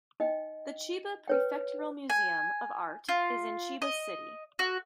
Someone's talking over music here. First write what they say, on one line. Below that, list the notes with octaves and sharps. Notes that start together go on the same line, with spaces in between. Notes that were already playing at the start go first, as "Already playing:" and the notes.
The Chiba Prefectural Museum of Art is in Chiba City.
D#4 D#5 G5
B4 C#5 G5
G#5
F4
D#5
F#4